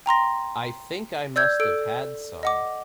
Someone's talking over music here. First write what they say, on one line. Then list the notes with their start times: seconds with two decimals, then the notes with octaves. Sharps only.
I think I must have had some.
0.06 G5 A#5 C6 A#6
1.36 D5 E6 G6 G#6
1.60 A4 E6 D7
2.43 D#5 F#5 D6